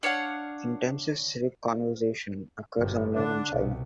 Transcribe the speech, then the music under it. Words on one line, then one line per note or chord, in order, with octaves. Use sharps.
Intensive civic conversation occurs online in China.
D4 C#5 F5 F#5
G1 G2
D3 D4
C2 B2